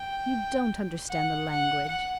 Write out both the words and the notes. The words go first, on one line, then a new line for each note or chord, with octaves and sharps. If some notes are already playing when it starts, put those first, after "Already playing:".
You don't understand the language.
Already playing: G5
F#5
F#5
F#5